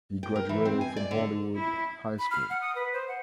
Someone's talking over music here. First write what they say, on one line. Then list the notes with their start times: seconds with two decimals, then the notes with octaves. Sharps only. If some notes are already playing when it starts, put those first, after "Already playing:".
He graduated from Hollywood High School.
0.23 G5
0.36 A#4
0.49 E3
0.65 C4
0.81 G#5
0.97 D5
1.11 D3
1.56 E4
2.19 B5
2.31 F6
2.50 F#5
2.61 D#6
2.75 B4
2.93 C5
3.08 F#5